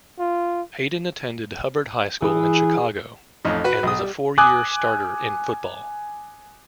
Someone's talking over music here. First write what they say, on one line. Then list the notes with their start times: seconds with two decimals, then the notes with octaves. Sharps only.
Hayden attended Hubbard High School in Chicago, and was a four-year starter in football.
0.19 F4
2.22 E3 G#4 D#6
3.45 A1 F2 D#4
3.64 F#4 B4
3.83 B1 D#6
3.99 G3
4.38 G#5 D6 D#6 F#6